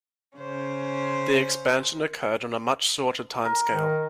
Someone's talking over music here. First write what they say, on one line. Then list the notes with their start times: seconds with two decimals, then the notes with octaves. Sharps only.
The expansion occurred on a much shorter timescale.
0.38 C#3 C#4 C5
3.45 A#4
3.72 D#3